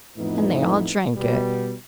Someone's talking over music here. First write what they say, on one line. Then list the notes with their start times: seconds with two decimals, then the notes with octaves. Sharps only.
And they all drank it.
0.17 F2 A2 E3 B3 D#4
1.16 B2 G3 B3